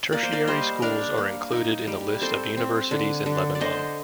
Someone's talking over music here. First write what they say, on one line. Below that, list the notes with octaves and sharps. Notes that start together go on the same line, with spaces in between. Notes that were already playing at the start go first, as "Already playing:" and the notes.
Tertiary schools are included in the list of universities in Lebanon.
A#3 D5
C5
A#4 D5
G3 C5 D#5
D4 A#4 D5
A#3
D#4
G3
C4 A4 C5
C4
D3
D3
D5
D3 C5 D#5